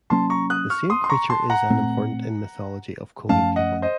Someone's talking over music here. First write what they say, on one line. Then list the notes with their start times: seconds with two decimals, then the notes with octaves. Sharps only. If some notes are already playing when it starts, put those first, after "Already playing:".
The same creature is an important in mythology of Komi people.
0.10 C3 F#3 A#3 C#4 A5 C6
0.30 A#5 C#6
0.50 D#6 F#6
0.70 C#6 F6
0.90 C6 D#6
1.04 C6
1.10 A#5 C#6
1.30 A5 C6
1.50 F#5 A#5
1.70 A#2 A3 C4
3.29 F#2 F3 A3 C#4 F5 A5
3.56 D#5 F#5
3.82 C5 D#5